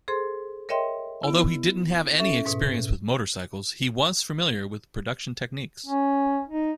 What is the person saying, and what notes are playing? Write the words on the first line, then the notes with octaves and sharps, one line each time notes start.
Although he didn't have any experience with motorcycles, he was familiar with production techniques.
G#4 A4 C5 C6
A#4 C#5 D#5 E5 G5 C6
B3 E4
C#4 A4 E5
G#2 B2
C#4
D#4